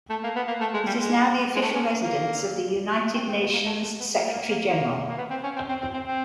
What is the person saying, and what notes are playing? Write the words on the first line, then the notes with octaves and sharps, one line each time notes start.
It is now the official residence of the United Nations Secretary-General.
A3
A#3
B3
A#3
A3
G#3
G3
G#3
G#3
A3
C#4
A#3
C4
C4
B3
A#3
A3
G#3
B3
A#3
A#3
A#3
A#3
A#3
B3
C4
C#4
C4
C4
C4
C4
C4